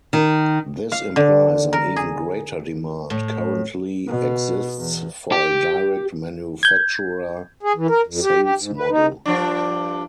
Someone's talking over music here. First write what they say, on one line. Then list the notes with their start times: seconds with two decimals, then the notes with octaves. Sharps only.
This implies an even greater demand currently exists for a direct manufacturer sales model.
0.13 D#3
0.92 F5
1.16 D3
1.73 A#4
1.96 G#4
3.10 A2
4.08 B2
4.78 E2
5.32 G4
6.63 G6 G#6
7.63 G#4
7.76 E3
7.89 A#4
8.07 F2
8.23 G4
8.43 G4
8.59 G#2
8.77 B4
8.90 D#4
9.25 G2 F3 D4